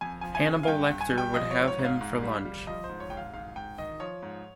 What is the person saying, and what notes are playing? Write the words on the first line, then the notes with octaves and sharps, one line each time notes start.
Hannibal Lecter would have him for lunch.
F2 G#5
F3 G#5
G#5
C#3
F5
G2 G5
G5
G2
G#5
G3
G5
F3 D#5
C#5
G#2
C#5
G#2
F5
G#2
G3
G3
F3 D#5
C5
G#2
C#5
G#2 G5
F5
G#2 F5
G#2 G5
D#3 D#5
F3 C#5
G#2